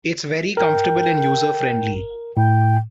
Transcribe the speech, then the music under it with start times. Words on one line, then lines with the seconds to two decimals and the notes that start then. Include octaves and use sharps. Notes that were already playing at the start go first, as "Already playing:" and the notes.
It's very comfortable and user-friendly.
0.57 A#4 G5
2.37 A2 G5